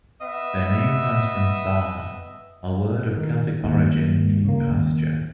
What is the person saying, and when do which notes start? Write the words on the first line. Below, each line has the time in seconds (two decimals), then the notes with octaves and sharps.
Their name comes from “bar”, a word of Celtic origin meaning pasture.
0.20 B3 D#5 E5
3.17 D#3
3.64 D#2
4.45 C#3 A#3
4.68 D#2